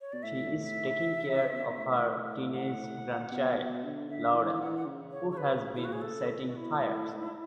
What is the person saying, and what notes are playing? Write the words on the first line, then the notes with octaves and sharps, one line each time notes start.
She is taking care of her teenage grandchild, Laurel, who has been setting fires.
C#5
B2 D5
A2 E5
E5
C#3
C#3
B2
C#3
B2
A2
F#5
B2
B2
D3
D3 E5
E3
E3 F#5
F#5
C#3
C#5
C#5
B4
E4
F#4
G#4
A4
B2 E4
F#4
E4
A2
G#2